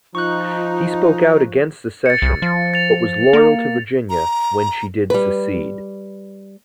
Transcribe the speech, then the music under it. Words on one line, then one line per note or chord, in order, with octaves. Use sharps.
He spoke out against secession, but was loyal to Virginia when she did secede.
F3 D#4 F4 C#6 F#6
A6 C#7
C2
F3
A6 F7
A#3
A#5
G3 B4